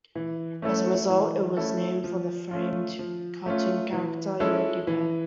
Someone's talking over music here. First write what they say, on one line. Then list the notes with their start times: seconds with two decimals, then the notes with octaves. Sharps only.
As a result, it was named for the famed cartoon character Yogi Bear.
0.15 E3
0.62 A3 C#4 E4 A4
1.10 E3
1.57 A3 C#4 E4 A4
2.04 F3
2.51 A3 C#4 F4
2.99 F3
3.46 A3 C#4 F4
3.93 E3
4.40 G#3 C#4 E4 A4
4.87 E3